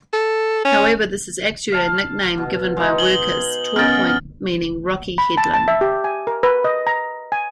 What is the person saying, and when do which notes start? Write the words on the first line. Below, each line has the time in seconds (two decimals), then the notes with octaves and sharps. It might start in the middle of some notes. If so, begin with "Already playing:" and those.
However this is actually a nickname given by workers, Torpoint meaning "rocky headland".
0.13 A4
0.65 C#4
1.72 F5 A5
2.38 B2
2.77 G#3 D#4
2.98 G#4 F#7 G7
3.76 B3 C#4 D#4 F4 A#4 F6 A6
5.18 B5
5.37 A5
5.54 A5
5.68 E5
5.81 G4
6.04 G#5
6.27 A#4
6.43 B4
6.64 D#5
6.87 A#5
7.32 G#5